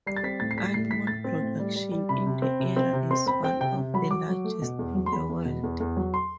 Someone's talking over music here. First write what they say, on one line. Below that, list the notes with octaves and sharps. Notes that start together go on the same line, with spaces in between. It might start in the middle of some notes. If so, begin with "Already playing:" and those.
Almond production in the area is one of the largest in the world.
G3 C7
A6
C4 B6
A2 A6
C7
G3 B6
A2 C7
A2 B6
A2 A6
C4
A2
G3
G3
G3
C3 B5
C3
C4
C3
C4
C3
C4 C6
C4 B5
C4 G5
C3 G5
C3
F#3 B5
F#3 D6
F#3
A3
B2
E2
F#3
C6
E2 B5
E2
B2
E2
E2
F#3
C6